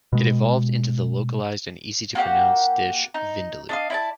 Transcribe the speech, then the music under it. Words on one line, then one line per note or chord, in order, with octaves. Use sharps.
It evolved into the localized and easy-to-pronounce dish "vindaloo".
B2 G#3
A#3 F#4 G4 F#5
D#4
D4 D#5 F5
E4 D5 A5